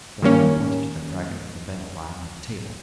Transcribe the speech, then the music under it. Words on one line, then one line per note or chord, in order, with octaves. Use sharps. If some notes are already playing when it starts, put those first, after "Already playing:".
Diana pointed to the fragment of the veil lying on the table.
D#3 G3 A#3 C#4